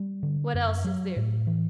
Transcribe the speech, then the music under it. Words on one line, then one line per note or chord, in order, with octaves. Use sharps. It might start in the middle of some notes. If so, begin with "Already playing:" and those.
"What else is there?"
Already playing: G3
D3
F#2
F#3
A2
E3